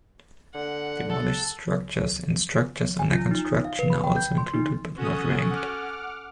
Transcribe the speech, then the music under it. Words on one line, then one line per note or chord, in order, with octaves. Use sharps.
Demolished structures and structures under construction are also included but not ranked.
D3 F#5
A4
G#5
F4
D#4
D#6
F5
B4
B5
G5
G6
C6
D#4
C#4 F#4 A4 D#6
F#5 D6 F6